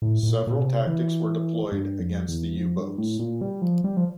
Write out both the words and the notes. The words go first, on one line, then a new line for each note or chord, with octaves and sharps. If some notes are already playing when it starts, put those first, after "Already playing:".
Several tactics were deployed against the U-boats.
A2
A2
A#2
A#2
C3
E3
G2
F2
E2
F2
G2
A2
A#2
G3
F3
G3
F3